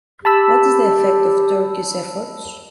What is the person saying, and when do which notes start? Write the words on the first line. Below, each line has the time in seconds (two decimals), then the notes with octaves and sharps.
What is the effect of Turkey’s efforts?
0.25 G4 A5 B5 E6